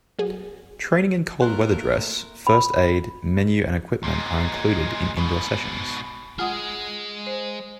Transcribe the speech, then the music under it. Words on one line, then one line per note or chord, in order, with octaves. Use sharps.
Training in cold weather dress, first-aid, menu and equipment are included in indoor sessions.
F#3 G#4
A2 A3 A#3 A#4 C6 F#6
B5
A#2 G#3
G#2 B2
G#3 F4 G#4 F#5 D#6
C5